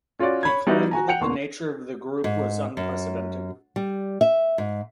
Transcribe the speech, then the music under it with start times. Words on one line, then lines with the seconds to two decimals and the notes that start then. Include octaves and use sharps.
He claimed that the nature of the group was "unprecedented".
0.19 C#4 F4 F#4 C#5 D5
0.43 C#5 B5 G#6
0.67 G3 B3 D#4 E4 F#4
0.91 F#4 G#5 A#5
1.08 F#5 G5 C#7 F7
1.21 E1 E2 B2 A#3 C6 C#6
2.24 G#2
2.77 F#2
3.76 G3
4.21 E5
4.58 G#2